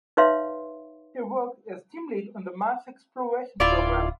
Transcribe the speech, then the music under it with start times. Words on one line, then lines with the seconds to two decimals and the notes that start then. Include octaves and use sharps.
He worked as team lead on the Mars Exploration Program.
0.17 D#4 B4 C#5 E5 F5 C6
3.60 D1 E4 F4 D5